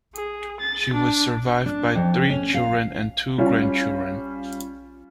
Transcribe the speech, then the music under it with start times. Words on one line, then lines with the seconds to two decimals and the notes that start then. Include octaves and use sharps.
She was survived by three children and two grandchildren.
0.15 G#4
0.60 A6
0.93 D4
1.66 D4
1.95 F2
2.30 C#4
2.54 F5
3.38 G3 C#4 F4